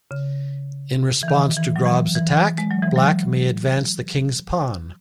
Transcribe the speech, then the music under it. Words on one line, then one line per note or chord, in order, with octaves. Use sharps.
In response to Grob's Attack, Black may advance the king's pawn.
C#3
E3
D#3
E3
F#3
E3
E3
G#3
F#3
E3
F#3